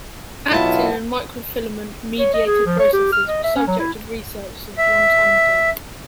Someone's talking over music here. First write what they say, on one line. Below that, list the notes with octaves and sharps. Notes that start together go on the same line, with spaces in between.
Actin and microfilament-mediated processes were subject of research since long time ago.
B1 B3 E4 F4 A5
C#5
D#5
G#4
F3
C#5
G4
F6
D#5
E5
C#4
F#3
E4
E5